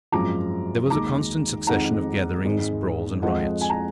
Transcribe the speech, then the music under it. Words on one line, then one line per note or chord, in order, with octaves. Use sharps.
There was a constant succession of gatherings, brawls, and riots.
G#1 F#2 F3 G#3 A#5 D6
D#2 D#3 G#3 A#5 D6
F2 D#3 G#3 F#5 A#5
G#1 G#2 D#3 G#3
F2 F3 G#3 D#5 F#5
G#5
A#5